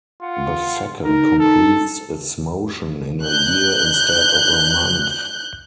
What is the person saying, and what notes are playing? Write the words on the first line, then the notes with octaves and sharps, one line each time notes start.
The second completes its motion in a year instead of a month.
F4 F#5
D#4 A#4
A4
F#6 G6